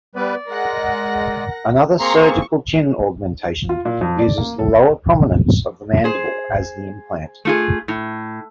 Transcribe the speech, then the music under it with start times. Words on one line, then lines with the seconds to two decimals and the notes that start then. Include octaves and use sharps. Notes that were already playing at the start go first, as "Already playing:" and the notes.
Another surgical chin augmentation uses the lower prominence of the mandible as the implant.
0.15 G3 B3 B4 D5
0.48 G#3 A#4 F#5 A#6
2.00 A#3 C4 G#4 A#5 C6 C#6
3.69 F4
3.85 A#2
4.01 F2
4.19 D5
4.38 A#3
4.59 A4
6.04 G#4 C5
7.45 A3 F4 G#4
7.88 A2